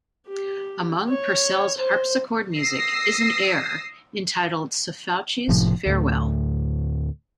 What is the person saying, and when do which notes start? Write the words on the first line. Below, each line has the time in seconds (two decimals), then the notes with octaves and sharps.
Among Purcell's harpsichord music is an air entitled "Sefauchi's Farewell".
0.27 G4
1.08 C#5
1.77 C5
2.56 D#6 E6 A#6 C7
5.48 F#1 A2 C3 F3
5.86 D2 A2